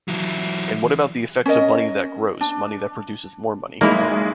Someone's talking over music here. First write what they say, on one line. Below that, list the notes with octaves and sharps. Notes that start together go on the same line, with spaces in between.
And what about the effects of money that grows, money that produces more money?
E3 F#3
C#4 A#4 D#5
D4
B1 G#3 A#3 E4